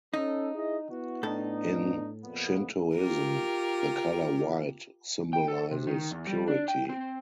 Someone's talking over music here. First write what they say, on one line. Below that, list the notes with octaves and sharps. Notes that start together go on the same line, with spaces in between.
In Shintoism, the color white symbolizes purity.
C#4 D#4 A4
E4 G#4 D#5
B3 E4 F#4
A2 B3 D4 D#4 A4
F2 A#2 B3
F4 G4 A#4
G5
A4
C3
D#3
E2
G3
D4
G5
C4